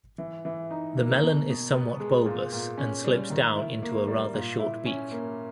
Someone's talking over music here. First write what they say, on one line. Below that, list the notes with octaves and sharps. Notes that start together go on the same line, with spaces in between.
The melon is somewhat bulbous and slopes down into a rather short beak.
E3
E3
D#4
A#3
B2
B2
B3
G#3
A#2
A#2
C#4
G3
D#3
E4
A#3
G3
A#2
E4
C#4
A#3